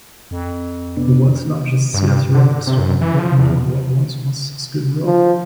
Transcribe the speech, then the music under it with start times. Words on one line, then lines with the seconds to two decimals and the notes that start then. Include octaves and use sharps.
The world's largest Sears Roebuck store opened on what once was skid row.
0.31 F2
0.97 C3 B3 D4
1.94 G2
2.34 D3
2.67 C3
2.79 F#2
3.01 E3
3.19 F3
3.39 E2
5.04 F3